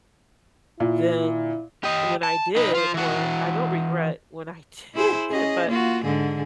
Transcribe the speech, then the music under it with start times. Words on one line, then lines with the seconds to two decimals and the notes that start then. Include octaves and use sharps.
than when I did, or I don't regret when I did. But,
0.80 A#2 E4
1.84 G4 D#5
2.23 A5
2.56 D#4 B4
2.74 F4 C5
2.94 E3 F#4
4.94 E4 G#4 C5
5.30 C#4 G#4 D#5
5.68 A#3 F4 F#4
6.04 G#2 D3 G#4